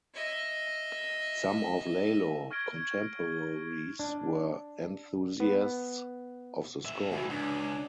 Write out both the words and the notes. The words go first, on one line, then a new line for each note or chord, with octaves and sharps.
Some of Lalo contemporaries were enthusiasts of the score.
D#5 E5
C#6 F6 G#6 A#6 D7 G7
D4
B3
A#2 E5
G#2 E3 F#4
C#2 D4